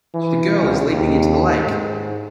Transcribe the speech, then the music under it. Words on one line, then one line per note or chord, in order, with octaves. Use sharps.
The girl is leaping into the lake.
E3
C#2
D#2
G#2